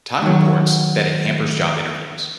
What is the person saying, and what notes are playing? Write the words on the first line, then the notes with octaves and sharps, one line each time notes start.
"Time" reports that it hampers job interviews.
D#3 F#3